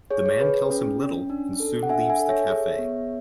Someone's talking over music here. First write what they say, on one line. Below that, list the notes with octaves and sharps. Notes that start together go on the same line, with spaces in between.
The man tells him little, and soon leaves the cafe.
G#4 C#5
C#5
G#4 B4
C#4
C#4
D4
A4
F#5
D4 E5 G#5
E5 G#5
A4
C#5 E5
G#4
B3